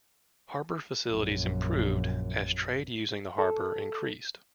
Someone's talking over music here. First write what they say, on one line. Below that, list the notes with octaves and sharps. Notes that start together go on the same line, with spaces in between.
Harbour facilities improved as trade using the harbour increased.
A#1 F#2
A4